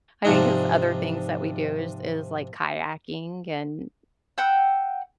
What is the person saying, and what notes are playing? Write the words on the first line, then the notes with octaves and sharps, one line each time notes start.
I mean, 'cause other things that we do is is, like, kayaking and
G#2 C3 F3 D4 D#4
F#5 G5 E6